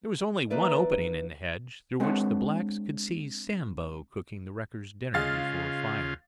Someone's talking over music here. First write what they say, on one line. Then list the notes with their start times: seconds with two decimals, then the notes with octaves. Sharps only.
There was only one opening in the hedge, through which the blacks could see Sambo cooking the wreckers' dinner before a fire.
0.50 E3 A#3 D#4 B4 D5 E5
2.00 G#3 C4 D4 C#5 F#5
5.14 C#3 G#3 F4 F5 A6